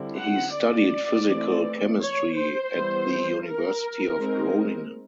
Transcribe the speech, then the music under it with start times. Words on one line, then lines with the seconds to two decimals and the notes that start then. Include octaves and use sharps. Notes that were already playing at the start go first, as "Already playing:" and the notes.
He studied physical chemistry at the University of Groningen.
Already playing: D3 G3 C4 E4
0.19 F#5
0.56 D5
1.28 E3 A3 C4
2.01 C#5
2.37 C5
2.73 E3 G3 B3 E4
3.46 A#4
4.18 G#3 C4 D#4